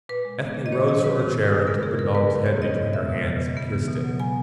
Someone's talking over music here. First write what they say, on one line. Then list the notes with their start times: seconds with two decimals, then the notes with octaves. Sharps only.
Ethne rose from her chair and took the dog's head between her hands and kissed it.
0.09 A#2 B4
0.25 G#3
0.41 B3
0.57 A#2
0.66 D#5
0.72 D#3 C#5
0.88 F#3 D#5
1.04 B3 B4
1.19 D#3 G#4
1.36 C#3
1.51 G#3
1.67 B3 A#4
1.83 C#3 G#4
1.98 C#3 A#4
2.14 G#3 B4
2.30 B3 B4
2.46 C#3 C#5
2.62 B2 D#5
2.78 G#3
2.93 B3 E5
3.09 B2
3.25 C#3
3.41 E3
3.57 B3
3.72 C#3
3.88 B2
4.04 F#3
4.20 B3 G#5